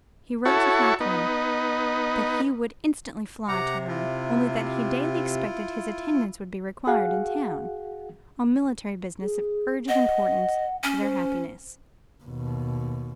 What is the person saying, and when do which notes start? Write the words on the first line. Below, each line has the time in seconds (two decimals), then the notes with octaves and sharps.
He wrote to Katherine that he would instantly fly to her, only that he daily expected his attendance would be required in town, on military business of urgent importance to their happiness.
0.45 E4 F#4 A4 C#5
1.00 B3 D#4
3.48 C3 G4 F#5 A#5
3.88 E4 F4
6.87 F#4 G#4 F5 F#5
9.21 G#4
9.88 D#5 F#5
10.83 C#4
11.02 C5
12.24 D#2 B2